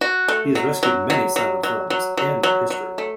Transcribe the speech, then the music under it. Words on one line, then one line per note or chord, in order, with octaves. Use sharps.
He has rescued many silent films and their history.
F#4
A3
F#3
F#3
F#3
F#3
F#3
F#3
F#3
F#3
F#3
A3